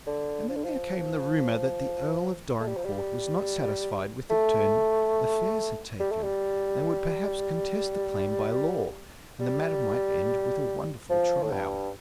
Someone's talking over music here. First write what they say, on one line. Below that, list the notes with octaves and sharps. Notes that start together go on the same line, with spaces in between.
And then there came the rumor that the Earl of Dorincourt was not satisfied with the turn affairs had taken, and would perhaps contest the claim by law, and the matter might end with a wonderful trial.
D3
F3
D3
F3
A3
G3
F3
G3
A3
G3
A3
G3
G3
F3
A2
G2